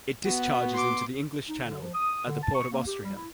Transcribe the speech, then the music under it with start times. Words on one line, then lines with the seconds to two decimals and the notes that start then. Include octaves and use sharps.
It discharges into the English Channel at the port of Ouistreham.
0.25 B3 F#4
0.73 C6 D6
1.48 D#4
1.65 D3
1.81 F3
1.94 D#6
2.26 D3
2.42 A5
2.54 C#6
2.71 A#3
2.87 G4
3.03 G3
3.15 E4